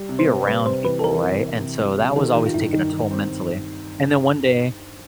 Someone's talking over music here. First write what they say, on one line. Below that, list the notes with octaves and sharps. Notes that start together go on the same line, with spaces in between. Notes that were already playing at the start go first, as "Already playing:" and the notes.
be around people, right? And so, that was always taking a toll mentally, and then one day,
Already playing: G3
C3
C5
C3
G3 B4
C3 C5
E3 B4
A4
E3 A#4
C3
C3
C3
G3
C3
D#3 A4
D#3 G4
F4
G2 E4
D#3 D#4
D#3
C4